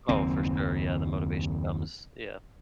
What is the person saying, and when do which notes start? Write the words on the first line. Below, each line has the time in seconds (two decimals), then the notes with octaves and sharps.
I oh, for sure, yeah. The motivation comes, yeah.
0.09 F#1 D#2 C4